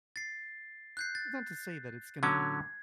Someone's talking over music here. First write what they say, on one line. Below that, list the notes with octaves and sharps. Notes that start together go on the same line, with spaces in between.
Not to say that it's gonna be
A6 C7
F#6 G6 C7
A6
D3 F#3 C#4 G#6